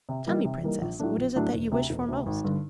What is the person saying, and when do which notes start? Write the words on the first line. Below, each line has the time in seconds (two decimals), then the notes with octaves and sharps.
Tell me, Princess, what is it that you wish for most?
0.09 C3
0.26 E3 G3 A#3 D#4
0.45 C3
0.63 E3 G3 A#3 D#4
0.81 A#1
1.00 A2 F#3 A3 D4
1.18 A#1
1.36 A2 F#3 A3 D4
1.54 E1
1.72 D2 C3
1.90 E1
2.08 D2 C3
2.26 G#1
2.44 G2 D3